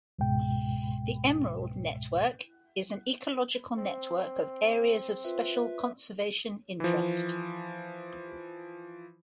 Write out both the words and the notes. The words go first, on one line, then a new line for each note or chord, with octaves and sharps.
The Emerald Network is an ecological network of Areas of Special Conservation Interest.
C#2 G#2 B2 G#3 G5
C4
F4 B4 E5
E3 F3